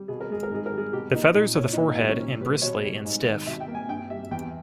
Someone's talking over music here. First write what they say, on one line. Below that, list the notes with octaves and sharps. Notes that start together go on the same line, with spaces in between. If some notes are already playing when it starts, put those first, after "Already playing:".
The feathers of the forehead and bristly and stiff.
Already playing: G3
B2 G#4
A#4
G#3 G#4
A#4
G#2 G#4
A#4
G3
G#4
B2 G4
A#3 D#4
A#2 D#4
A#3 C#5
D#4
A#2 E4
D#4
G3
C#4
A#2 C#4
G3 B4
B2 C#5
G3
G#2
D#3
B2 E5
G5
A#3
G#5
G2 G5
G3 E5
E2 G5